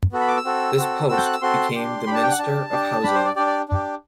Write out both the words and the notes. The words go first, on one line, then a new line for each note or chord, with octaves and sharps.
This post became the Minister of Housing.
B3 F#4 A4
B5
D6
E6
C4 F#4 A4
C4 F#4 A4
C4 F#4 A4 E6
G6
F#6
E6
C4 F#4 A4 C6
D4 G4
D4 G4 A5 B5
G5
F#5
D4 G4 A5
D4 G4
D4 G4 B5
C5
D5
D4 G4 D5
D5
D4 G4